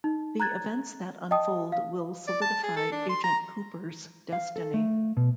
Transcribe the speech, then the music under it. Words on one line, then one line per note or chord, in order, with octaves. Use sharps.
The events that unfold will solidify Agent Cooper's destiny.
D#4
A#5 F#6 G#6 A6
D#5 G5 A5 D#6
F5
D5
A5
G#4
A4
D4
C6
A#5
F5
A4
A3
B2